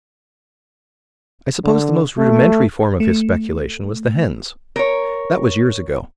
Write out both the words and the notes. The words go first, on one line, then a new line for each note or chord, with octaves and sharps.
I suppose the most rudimentary form of his speculation was the hens. That was years ago.
D3
A3
A3
A#4 C#5